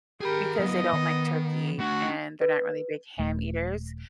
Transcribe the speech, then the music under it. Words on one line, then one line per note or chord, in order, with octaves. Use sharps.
because they don't like turkey, and they're not really big ham eaters,
G4 G#4 A#4 B5
F#3 B3 E4 D#5
D#3
A3 D4 F#4
B4
D#1 A3